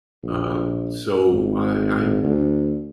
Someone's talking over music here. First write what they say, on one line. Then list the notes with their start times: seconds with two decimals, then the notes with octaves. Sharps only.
um, so, I I
0.23 A#1
1.32 G#1
2.23 D2